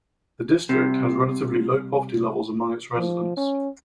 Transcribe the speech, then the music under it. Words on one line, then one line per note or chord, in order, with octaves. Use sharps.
The district has relatively low poverty levels among its residents.
C2 C3
F3
C#4